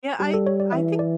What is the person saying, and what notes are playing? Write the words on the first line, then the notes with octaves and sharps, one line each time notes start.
Yeah, I I think
G3 G4
A4
C#5
D5
E3 E5
D5